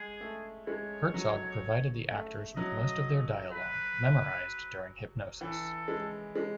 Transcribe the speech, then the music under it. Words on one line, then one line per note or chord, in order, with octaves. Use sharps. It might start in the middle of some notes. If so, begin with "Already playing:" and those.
Herzog provided the actors with most of their dialogue, memorised during hypnosis.
Already playing: G#3 G#4
A3
G#3 C#5
F#3
A3
F#3 D#5
B4
E3 A4
G#3
G#3